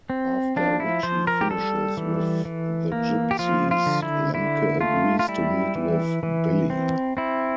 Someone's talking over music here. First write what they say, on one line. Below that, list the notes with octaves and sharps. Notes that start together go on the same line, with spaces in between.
After Richie finishes with the Gypsies, Lemke agrees to meet with Billy.
C4
F3 D4
E4
F3 C5
A#4
G4
G3 A4
E3
E3
A#3
G4
F3 F4
F4
D3
E4
D3 E4
A3 F4
F4
G3 E4
E3
E3
C4
C4 E4